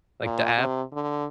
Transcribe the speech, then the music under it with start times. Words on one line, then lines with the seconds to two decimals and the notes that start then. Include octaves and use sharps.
like the app
0.23 A#2
0.58 C3
0.93 D3